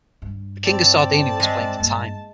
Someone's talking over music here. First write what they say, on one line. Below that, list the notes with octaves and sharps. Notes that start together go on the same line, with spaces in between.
The King of Sardinia was playing for time.
G2
C4 D5 A5
G#3 E5 G#5
G2 A#3